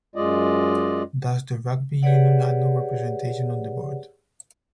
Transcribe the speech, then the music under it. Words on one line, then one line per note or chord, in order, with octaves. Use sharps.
Thus the rugby union had no representation on the board.
F#2 G#3 F4 D5 D#5
G4 G#4 B4 C#5 D5 F#5